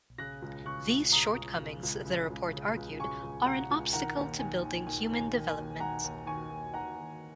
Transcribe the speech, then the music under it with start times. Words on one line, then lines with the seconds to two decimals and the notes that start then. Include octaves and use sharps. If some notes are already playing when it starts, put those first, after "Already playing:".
These shortcomings, the Report argued, are an obstacle to building human development.
0.18 C#3 F#6 A#6
0.42 C#2
0.65 C#3 C#6 F#6
0.89 C#2
1.12 C#3 A#5 D#6
1.36 C#2
1.60 C#3
1.83 C#2
2.05 C#3
2.30 C#2
2.53 C#3
2.77 C#2
2.99 C#3 G#5 C#6
3.23 C#2
3.46 C#3 F#5 A#5
3.70 C#2
3.93 D#3 F#5 A#5
4.17 D#2
4.39 D#3 G#5
4.63 D#2
4.87 D#3 G#5
5.10 D#2
5.18 G#5
5.33 D#3
5.49 G#5
5.57 D#2
5.80 D#3 F#5 A#5
6.04 D#2
6.26 D#3 G#5 C#6
6.50 D#2
6.74 D#3 F#5 A#5
6.98 D#2